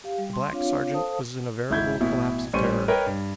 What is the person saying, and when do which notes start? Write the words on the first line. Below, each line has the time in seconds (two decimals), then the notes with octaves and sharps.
The black sergeant was in a veritable collapse of terror.
0.04 G4 F5
0.18 G3
0.33 C6
0.51 C4 D4 F4 C#5 F5
0.93 A4 C5 F5 A5 D#6
1.70 G#1 E4 G6 G#6
2.00 A1 B2 E4
2.53 A1 G3 C#4 C5 C#6 D#7
2.88 A#4 B4 C#5 D#5 G5
3.06 G2